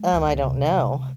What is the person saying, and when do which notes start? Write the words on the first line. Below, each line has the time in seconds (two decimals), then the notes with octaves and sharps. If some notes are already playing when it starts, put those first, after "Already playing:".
Um, I don't know.
Already playing: G#3
0.13 C#2
0.35 C3
0.58 C3